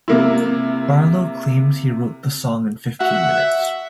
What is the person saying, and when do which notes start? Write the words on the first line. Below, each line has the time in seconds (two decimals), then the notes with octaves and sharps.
Barlow claims he wrote the song in fifteen minutes.
0.08 C3 A#3 E4
3.00 F#4 E5 F#5